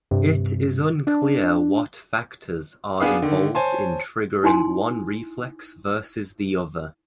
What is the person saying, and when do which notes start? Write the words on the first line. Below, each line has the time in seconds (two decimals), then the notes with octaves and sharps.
It is unclear what factors are involved in triggering one reflex versus the other.
0.11 G2 C3
1.07 D4
3.00 B3 D4 G#4 B4 F5
3.22 D3 D#3
3.55 C5 C#5 G#5 A5 C6
4.44 D#4 E4 G#5 C6